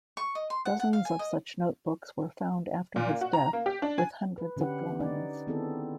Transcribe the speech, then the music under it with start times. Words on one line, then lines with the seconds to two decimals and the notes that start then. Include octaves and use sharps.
Dozens of such notebooks were found after his death with hundreds of drawings.
0.17 C#6
0.35 D#5
0.50 C6
0.65 F#5
0.80 F#5
0.93 F5
1.05 G#5
1.19 D#5
2.96 A#2
3.07 A#3
3.21 F#4
3.33 A#5
3.53 A#3
3.66 G4
3.82 D4
3.98 G#5
4.38 B4
4.57 D3 C#4 D4 G4 B4 F#5
5.00 C#4 D#4 D5
5.47 D#3 B3 C4 E4 G#4 A4